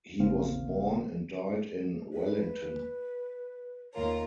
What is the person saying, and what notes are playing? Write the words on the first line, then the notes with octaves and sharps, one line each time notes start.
He was born and died in Wellington.
A1 C#3 A#3 C4 F5
B4
D#2 F4 A#4 C#5